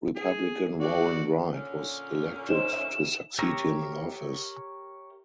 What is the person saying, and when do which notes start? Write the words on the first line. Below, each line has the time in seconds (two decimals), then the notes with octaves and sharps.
Republican Warren Wright was elected to succeed him in office.
0.16 G#4
0.81 F#4 D5
1.55 A#2 D3 C#4
2.49 D#4 C5 E7
2.73 E5
3.39 G4 A#4 C#5 E5 A#5